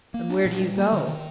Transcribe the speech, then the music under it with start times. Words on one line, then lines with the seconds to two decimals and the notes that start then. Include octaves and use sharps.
"And where do you go?"
0.14 A#3
0.30 D4
0.45 A#2
0.61 G3
0.78 A#3
0.93 D#3
1.09 D#3